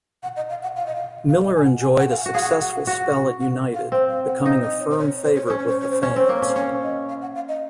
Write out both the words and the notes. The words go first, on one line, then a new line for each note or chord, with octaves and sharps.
Miller enjoyed a successful spell at United, becoming a firm favourite with the fans.
F#5
D#5
F5
F#5
F5
D#5
F5
F5
D#5
G#5
F#5
G#5
F#5
F5
F#5
F#4
G#4 F5
F#5
F5
F#5
F#4 F#5
F#5
F5
C4
F5
F#5
D#4 F5
D#5
C#5
C5
C#5
C5
C#5
C#4 C5
C#5
C5
C#5
C5
C#4 C#5
C4 C5
A#3 C#5
C5
C#4
C#4 C#5
D#5
F5
F#5
F5
D#5